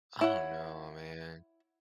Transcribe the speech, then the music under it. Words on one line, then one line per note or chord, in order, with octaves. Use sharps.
I don't know, man.
E4 C#5 F#5